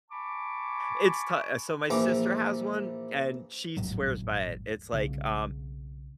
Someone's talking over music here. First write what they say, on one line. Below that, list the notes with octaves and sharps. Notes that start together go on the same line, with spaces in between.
It's to Uh, so my sister has one, and she swears by it. It's like, um,
G#5 A5 B5 C#6 D6
A#1 E3 D6
D#1 G#1 A2 F#3
B1 C#3